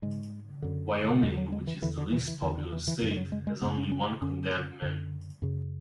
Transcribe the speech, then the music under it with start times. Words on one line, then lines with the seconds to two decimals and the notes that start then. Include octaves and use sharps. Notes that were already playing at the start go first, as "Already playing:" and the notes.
Wyoming, which is the least populous state, has only one condemned man.
0.02 G#2 G#3
0.62 F#2 D3
1.23 E2 D3 G#3
1.37 F#3
1.52 G#3
1.67 E3
1.82 E2 D3 E3
1.98 D3
2.12 E3
2.28 E3
2.42 E2 D3 E3
2.58 D3
2.72 E3
2.88 E3
3.02 F#2 E3
3.05 C#3
3.11 G#3
3.17 F#3
3.32 G#3
3.47 G#3
3.62 F#2 C#3 B3
3.77 C#4
3.92 C#4
4.22 F#2 D3 C#4
4.82 F#2 D3
5.42 F#2 C#3